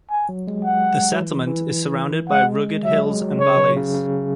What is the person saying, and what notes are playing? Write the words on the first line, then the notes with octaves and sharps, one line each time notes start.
The settlement is surrounded by rugged hills and valleys.
G#5
F#3
G#3
F#5
F#3
E3
E3
G#3 F#5
F#3 E5
G#3
F#3
C#3 C#5
F#3
C#3
C#3